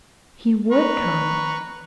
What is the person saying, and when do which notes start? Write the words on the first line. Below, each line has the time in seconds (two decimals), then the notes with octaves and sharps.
He would come!
0.72 B4 A#5 C#6